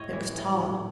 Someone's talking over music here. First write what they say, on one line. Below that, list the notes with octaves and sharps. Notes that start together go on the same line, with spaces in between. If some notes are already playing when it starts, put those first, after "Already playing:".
It was Tall.
Already playing: A2 G#3 C#5 D#5
E3
A2
A2